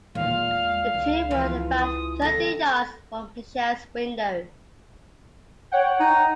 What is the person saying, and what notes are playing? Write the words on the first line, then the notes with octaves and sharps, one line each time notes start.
The two were about thirty yards from Mitchell's window.
E2 A#2 G#3 F5
C#2
E3 F3 B4
D#6
F2 D3 A4 A#6
C#5 F#5 G5
D#4